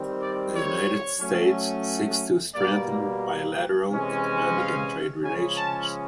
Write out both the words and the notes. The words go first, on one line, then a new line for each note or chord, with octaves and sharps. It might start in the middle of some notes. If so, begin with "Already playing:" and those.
The United States seeks to strengthen bilateral economic and trade relations.
Already playing: D#3 G3 C4
D5
C#5
F#3 A3 C#4
B2 G3 A#3 D5
C3 E3 G#3 C#4
F5
C#3 F3 G#3 C#4 G#5
A5